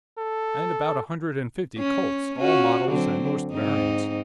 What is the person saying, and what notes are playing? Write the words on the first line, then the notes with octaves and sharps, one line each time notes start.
And about a hundred and fifty Colts, all models and most variants.
A4
C#4
C#4 F4 F#4
D3 F#3 C4
G#2 C4 D#4